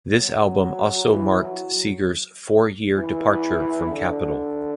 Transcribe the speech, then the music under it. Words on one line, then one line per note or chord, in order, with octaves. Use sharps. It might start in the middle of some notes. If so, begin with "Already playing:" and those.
This album also marked Seger's four-year departure from Capitol.
F#3
E3
F#3
E3
D3